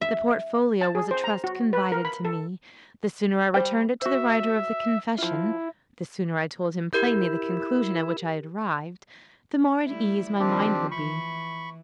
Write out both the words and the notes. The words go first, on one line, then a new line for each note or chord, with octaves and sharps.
The portfolio was a trust confided to me; the sooner I returned it to the writer of the confession--the sooner I told him plainly the conclusion at which I had arrived--the more at ease my mind would be.
E5
A5
G#4
C5
A#5
F#4
B4
A#4
B5
A4
G3 C5 G5
F#4 C5 E5
F3 E4 F4
E4 G4 A#4 G6
G3 A3 E4
D#3 F3 C4 D4 G4
E3 B5 C#6